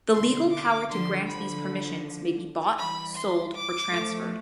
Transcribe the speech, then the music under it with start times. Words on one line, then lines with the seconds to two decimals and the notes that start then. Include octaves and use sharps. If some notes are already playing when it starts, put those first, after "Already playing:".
The legal power to grant these permissions may be bought, sold or transferred.
0.14 B2 D3 C6
0.52 D6
0.89 D3 F3 C6
1.28 D3 F3 B5
2.78 E3 G3 B5
3.16 C6
3.54 D6
3.91 F3 A3